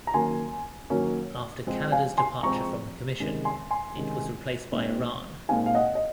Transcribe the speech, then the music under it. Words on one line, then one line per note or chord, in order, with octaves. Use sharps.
After Canada's departure from the Commission, it was replaced by Iran.
A#5
D#3 F#3 A#3 C#4 G#5 C6
D#3 F#3 A#3 C#4
F3 G#3 C4
F5 G#5
G#5 C6
F3 G#3 C4 A#5 C#6
C3 D#3 G#3 C#4
G#5 C6
G#5 C6
C3 D#3 G#3 C#4
A#2 G#3 C4 D#4
A#2 G#3 C4 D#4 F5 G#5
F5
D#5 F#5
D#5